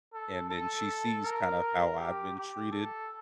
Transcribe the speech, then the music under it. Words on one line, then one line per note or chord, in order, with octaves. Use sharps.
and then, she sees kinda how I've been treated,
A4
A4
A#4
G4
G4
A4